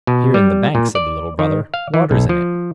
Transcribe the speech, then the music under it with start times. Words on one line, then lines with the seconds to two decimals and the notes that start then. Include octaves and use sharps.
"Here in the bank," said the little brother; "water's in it."
0.07 B2
0.34 G3
0.75 A#2
0.95 D5
1.39 D#3
1.74 F5
1.94 E3
2.11 B1
2.29 F3